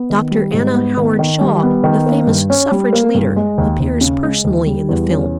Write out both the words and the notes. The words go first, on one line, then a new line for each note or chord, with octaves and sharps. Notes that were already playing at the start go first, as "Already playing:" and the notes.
Dr. Anna Howard Shaw, the famous suffrage leader, appears personally in the film.
Already playing: B3
D#3
G3
G#2
B3
D#3
D#3
G3
B3
D#3
A#3
G2
C#4
G3
A#3
G2
G#3
D#2
D#2
C#3
G#3
D#2
G3
E2
C#4